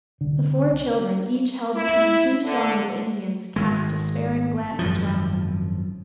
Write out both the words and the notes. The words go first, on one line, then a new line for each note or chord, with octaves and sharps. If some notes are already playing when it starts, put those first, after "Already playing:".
The four children, each held between two strong little Indians, cast despairing glances round them.
C2 D3
E4
D3
G#1 G#3
G#1 F#2 F3